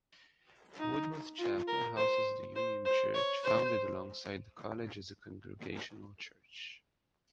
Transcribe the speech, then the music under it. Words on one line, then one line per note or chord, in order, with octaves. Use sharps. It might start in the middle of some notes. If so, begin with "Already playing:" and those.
Woodworth Chapel houses the Union Church, founded alongside the college as a Congregational Church.
D#4
F4
A#4
C5
C5
C5
C#5
C5